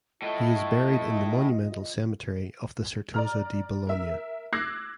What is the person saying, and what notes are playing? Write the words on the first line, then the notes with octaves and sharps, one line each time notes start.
He is buried in the monumental cemetery of the Certosa di Bologna.
A2 A3 F4 D#5
D5 A#5 F6
A#4 E5
D6 E6 F#6 G#6 A#6 C7